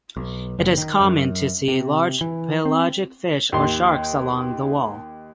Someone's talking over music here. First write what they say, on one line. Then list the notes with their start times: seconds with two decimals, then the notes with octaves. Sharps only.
It is common to see large pelagic fish or sharks along the wall.
0.17 B1
0.59 F#1
0.78 D#3
1.01 F#2
1.68 C3
2.21 E3
2.65 C4
3.52 D#2 C6